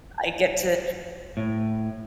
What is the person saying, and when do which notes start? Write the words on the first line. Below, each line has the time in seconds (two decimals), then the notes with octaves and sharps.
I get to
1.37 A2